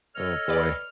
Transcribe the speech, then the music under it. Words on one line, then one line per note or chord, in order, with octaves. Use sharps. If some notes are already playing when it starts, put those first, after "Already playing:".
Oh, boy.
A4 C#5 D#5 F6
B4 D5